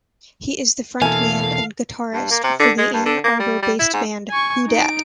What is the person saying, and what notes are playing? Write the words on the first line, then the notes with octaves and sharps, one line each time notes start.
He is the frontman and guitarist for the Ann Arbor-based band, Who Dat?
E2 B2 A#3 E4 A4 F5 G#5
G2
A#3
C3
D3
G#3
G2
D3
A#3
G3
G3
E4
G#2
G#5 C#6
D#4 D7